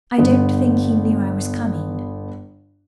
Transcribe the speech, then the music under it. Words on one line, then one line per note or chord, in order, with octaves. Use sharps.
"I don't think he knew I was coming."
G1 B3